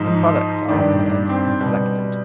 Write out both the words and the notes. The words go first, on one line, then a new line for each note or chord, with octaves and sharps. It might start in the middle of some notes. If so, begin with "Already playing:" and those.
The products are condensed and collected.
Already playing: G#2 F3 D#4
G2 D#3 G3 D4
D4
C4
B2 G3